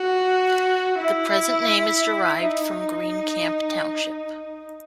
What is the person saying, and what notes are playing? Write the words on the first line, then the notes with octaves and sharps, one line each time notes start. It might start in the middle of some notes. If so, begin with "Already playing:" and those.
The present name is derived from Green Camp Township.
Already playing: F#4
E4
D#4